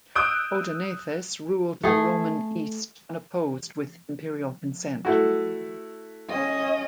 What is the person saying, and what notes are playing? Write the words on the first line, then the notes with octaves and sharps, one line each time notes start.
Odaenathus ruled the Roman East unopposed with imperial consent.
D#6 E6 F#6 G6 D7
A3 G#4
A3 E4 F#4
C#4 D#5